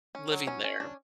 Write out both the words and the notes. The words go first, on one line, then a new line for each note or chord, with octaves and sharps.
living there.
C#4
F#3
C#4
C#4
D4